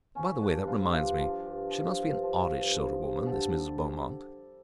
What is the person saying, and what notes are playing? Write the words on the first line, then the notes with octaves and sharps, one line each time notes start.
By the way, that reminds me, she must be an oddish sort of woman, this Mrs. Beaumont.
F3 C#4
G2 D4
F3 F4
G2 G4
F3
G2
F3
G2
F3
G2
F3
G2
D3 G4 A4
G3